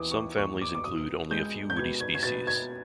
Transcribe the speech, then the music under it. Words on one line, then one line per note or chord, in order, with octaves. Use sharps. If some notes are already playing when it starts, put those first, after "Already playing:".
Some families include only a few woody species.
Already playing: D#2 E3 D6 D#6
C#6
D6
D#2 C#6
D6
D6
B2 D#6
G#3 G6
G6
B2 G#6
G#6
G#6
B2 A6
G#6